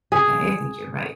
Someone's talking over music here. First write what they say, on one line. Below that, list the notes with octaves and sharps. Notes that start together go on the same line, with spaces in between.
"Okay, I think you're right."
G#4